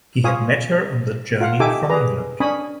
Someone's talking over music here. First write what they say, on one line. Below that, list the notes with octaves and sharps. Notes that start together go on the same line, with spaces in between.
He had met her on the journey from England.
F4 C#5 F5 G#5 D#6
F4 F5 F#5
D#4 G4 A4 E5 G#5 D6
G#4 B4 D5 A#5
C#4 D4 C#5 G#5 B5 D#6